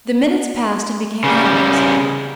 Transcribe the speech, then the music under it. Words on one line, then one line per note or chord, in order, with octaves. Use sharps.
The minutes passed and became hours.
C#3 G3